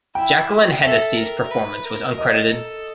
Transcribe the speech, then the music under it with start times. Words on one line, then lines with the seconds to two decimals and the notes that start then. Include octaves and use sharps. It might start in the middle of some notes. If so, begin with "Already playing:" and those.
Jacqueline Hennessy's performance was uncredited.
0.15 E4 G5
0.83 A4 E5
1.16 A#4
1.51 B4
1.84 A#4
2.18 D#5
2.51 A4